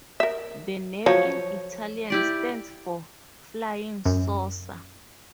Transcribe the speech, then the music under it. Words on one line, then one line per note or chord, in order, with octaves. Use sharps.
The name in Italian stands for "Flying Saucer".
A#4 E5
F3 F#3 C#5
E4 G4 D5
F#2